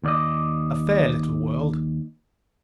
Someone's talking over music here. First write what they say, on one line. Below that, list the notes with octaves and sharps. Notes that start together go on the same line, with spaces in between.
A fair little world.
D#2 D5 D#5